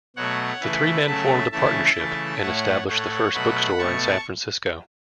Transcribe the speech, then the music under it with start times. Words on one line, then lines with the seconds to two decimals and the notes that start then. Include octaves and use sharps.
The three men formed a partnership and established the first bookstore in San Francisco.
0.16 B2 F#3 A3 C#5 F#5
0.61 C#3 E3 A3 B4 E5
1.07 C#3 F#3 A3 E5 A5
1.52 C#3 E3 A3 E5 A5
1.97 C#3 E3 A3
2.43 A2 A3 C#5 F#5
2.88 A2 A3 C#5 F#5
3.33 B2 F#3 A3 F#5 B5
3.79 B2 A3 A5 C#6